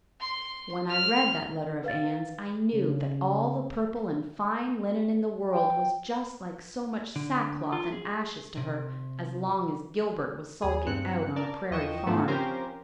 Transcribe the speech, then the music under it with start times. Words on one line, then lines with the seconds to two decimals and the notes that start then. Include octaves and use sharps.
When I read that letter of Anne's, I knew that all the purple and fine linen in the world was just like so much sackcloth and ashes to her as long as Gilbert was sulking out on a prairie farm.
0.20 C6
0.89 F6
1.84 B4 F5 A6
2.73 C#3
5.52 G5
7.16 D3
7.72 F4
7.92 G#4
8.57 C3
10.62 D#2 G#4
10.87 G2 C4 F#6 C#7
11.36 A#4 D5 A5
11.71 E2 F3 D#5 G5 C#6 E7
12.06 G#2 D#3 F3 A3 B3 D4
12.28 F3 C4 C#4 G4 A#4 C5